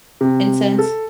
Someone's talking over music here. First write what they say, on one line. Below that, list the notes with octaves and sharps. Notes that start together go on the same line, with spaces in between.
in sense?
C3
A4